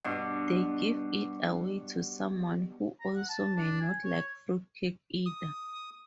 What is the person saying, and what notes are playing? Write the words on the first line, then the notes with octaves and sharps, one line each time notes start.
They give it away to someone who also may not like fruitcake either.
G2 B2
A#5
F#5
A5
D4
G#5
C#5
D#6